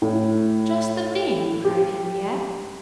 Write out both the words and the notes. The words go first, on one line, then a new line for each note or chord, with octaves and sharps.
"Just the thing!" cried Henriette.
A2
G4